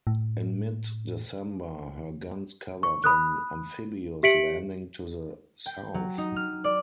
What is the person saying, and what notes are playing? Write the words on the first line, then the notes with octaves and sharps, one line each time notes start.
In mid-December, her guns covered an amphibious landing to the south.
A2
C#6
B5 D#6 F#6
G4 E5 B6 C#7 D7 F#7
G5
F#3
D#4
F6
D5